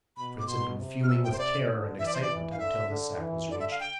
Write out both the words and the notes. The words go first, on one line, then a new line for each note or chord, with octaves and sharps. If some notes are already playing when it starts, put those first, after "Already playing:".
Fritz had been fuming with terror and excitement until this sack was reached.
B2 B5
D6
B2 C6
C3
F6
E6
G5
C5
D5
D3
E3 E5
D5
C5
D5
E3
F5
D3 E5
D3
E3
D3 D5
E5
F5
G5